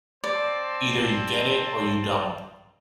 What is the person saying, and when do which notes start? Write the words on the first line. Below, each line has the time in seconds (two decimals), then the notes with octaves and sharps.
Either you get it or you don't.
0.24 C4 C5 D5 A5